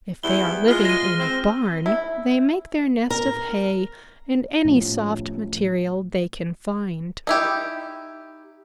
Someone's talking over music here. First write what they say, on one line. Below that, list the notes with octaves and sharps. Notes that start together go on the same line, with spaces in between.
If they are living in a barn, they make their nest of hay and any soft material they can find.
E2 G3 E4 G7
G#3 F4 F6
A#6 D#7
C4
E4
A#4
A2 F3
D#4 E4 G4